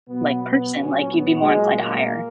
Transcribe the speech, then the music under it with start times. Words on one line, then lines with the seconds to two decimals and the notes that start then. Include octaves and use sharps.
like, person, like, you'd be more inclined to hire.
0.09 B2 F#3 B3
0.42 B3
0.74 A#2 F#3 C#4
1.07 B3
1.40 A#2 F#3 G#3
1.73 A#3